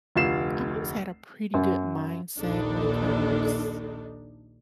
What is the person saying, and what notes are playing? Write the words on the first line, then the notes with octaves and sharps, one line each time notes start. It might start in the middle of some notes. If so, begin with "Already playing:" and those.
I've always had a pretty good mindset when it comes
F1 D2 F4 C7 E7
F#2
A#1 D#2 D4 D#4 A4